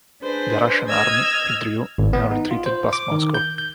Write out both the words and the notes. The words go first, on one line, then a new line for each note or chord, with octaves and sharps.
The Russian army withdrew and retreated past Moscow.
D4 G#4 B4 C5
D#5 E6 F6 G#6
G#1
B3
D#4
F4
C5
D6
D#3
G6
G6